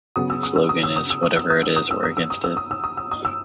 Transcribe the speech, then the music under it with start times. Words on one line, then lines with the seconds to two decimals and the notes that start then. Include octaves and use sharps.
Its slogan is Whatever it is, we're against it.
0.16 C#3 F#3 B3 D#6
0.30 E6
0.43 D#6
0.56 E6
0.69 D#6
0.83 E6
0.96 D#6
1.10 E6
1.23 D#6
1.36 E6
1.50 D#6
1.63 E6
1.76 D#6
1.91 E6
2.04 D#6
2.17 E6
2.30 D#6
2.44 E6
2.57 D#6
2.71 E6
2.84 D#6
2.97 E6
3.11 D#6
3.25 E6